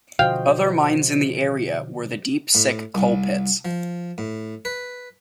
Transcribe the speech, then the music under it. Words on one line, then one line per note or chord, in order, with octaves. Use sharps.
Other mines in the area were the Deep Sick Coal Pits.
B2 D3 F3 F#4 C5 D#5 F5 G5
A2
C2
F3
A2
B4